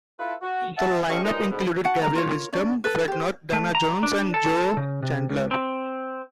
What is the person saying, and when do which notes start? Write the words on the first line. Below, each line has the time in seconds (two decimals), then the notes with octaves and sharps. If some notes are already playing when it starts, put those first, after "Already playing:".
The lineup included Gabriel Wisdom, Fred Nurk, Dana Jones, and Joe Chandler.
0.19 E4 F4 A4 B4
0.42 F#4
0.77 E5 F#5 A5
1.09 C#4 G4 A4 D#5 F5 C#6
1.23 G2 A#2 D#3 F3 G#3 D#4
1.51 D2 G#2 B2
1.84 F#4 F#5 A5
2.02 A#4 A#5
2.15 F4 A#4 C#5
2.53 C#4 D4 D5
2.84 A4 B4
3.08 G4 C5
3.53 A3
3.75 A#5
4.03 D4
4.34 A4
4.77 C#3
5.03 C3
5.29 C#2
5.51 C4